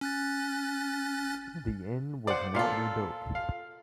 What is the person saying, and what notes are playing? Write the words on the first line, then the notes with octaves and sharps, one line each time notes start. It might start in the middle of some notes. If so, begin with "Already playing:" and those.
The inn was not rebuilt.
C#4 F#6 A6
C#3 C5 D5 F#5
A#2 F4 A4 F5
F5